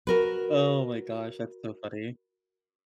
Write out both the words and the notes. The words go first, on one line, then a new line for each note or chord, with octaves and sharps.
Oh my gosh, that's so funny.
F#4 A#4 B4